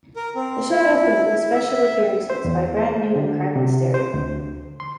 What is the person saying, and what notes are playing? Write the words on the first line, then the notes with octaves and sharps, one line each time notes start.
The show opened with special appearances by Brand New and Crime In Stereo.
A#4
C4
E4
E4
E5
C5
E2
C5
D3
C3
C5
D2
C6